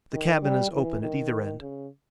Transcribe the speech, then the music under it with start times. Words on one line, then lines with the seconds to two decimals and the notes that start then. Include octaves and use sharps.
The cabin is open at either end.
0.12 D#3
0.42 G3
0.71 E3
1.02 D#3
1.60 C#3